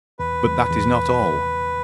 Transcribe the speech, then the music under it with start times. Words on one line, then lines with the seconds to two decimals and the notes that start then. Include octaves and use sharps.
But that is not all.
0.19 E2 B4
0.45 E2
0.70 E2